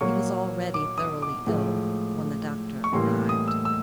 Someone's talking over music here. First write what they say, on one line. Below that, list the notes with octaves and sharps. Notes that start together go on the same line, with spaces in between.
He was already thoroughly ill when the doctor arrived.
A#2 F#3 A#3 C#6
D6
D#6
D6
A2 F3 G#3
C#6
A2 E3 G3 A#3 C6
D#6
E6
E6